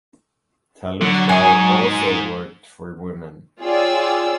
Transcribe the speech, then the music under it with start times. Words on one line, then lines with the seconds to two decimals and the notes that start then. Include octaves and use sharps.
Talukdar also worked for women.
1.01 D3 F#3
1.29 G#2 G#4 G#5
3.61 F4 G#4 C#5 D5 G5 E6